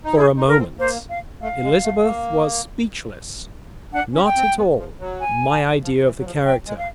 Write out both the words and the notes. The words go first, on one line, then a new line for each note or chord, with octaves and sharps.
For a moment Elizabeth was speechless--not at all my idea of the character.
D#4
E4 G#4
D#4
A#4
C4
A#3 C5
F5
A3 F5
G#3
A3
A#3
D4 F#5
C#4
G5
C4
B3
F3
F#3
G#5
F3
E3
F#3
F3
F#3 G5
G#3
F5